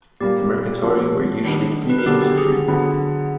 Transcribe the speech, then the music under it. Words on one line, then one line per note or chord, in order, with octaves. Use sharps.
The mercatores were usually plebeians or freedmen.
A#2 G3 A#3 G4
F3 A3 C#4 F#4 A4
D#3 G3 B3 D4
B4
A#4
D3 F#3 B3 G4 A4
G4
G#4
G#4
D3 F#3 B3